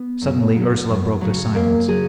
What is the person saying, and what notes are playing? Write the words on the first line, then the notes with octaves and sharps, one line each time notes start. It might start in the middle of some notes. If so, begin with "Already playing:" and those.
Suddenly Ursela broke the silence.
Already playing: B3
F#2
C#3 F#3
F#2
C#3 F#3
F#2 A#3
C#3 F#3 G#4